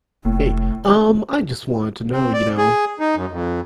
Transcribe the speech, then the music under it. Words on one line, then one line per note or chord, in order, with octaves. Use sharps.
Hey, um, I just wanted to know you know,
F1 A2
C4
D5
G#4
D#4
F#2
F2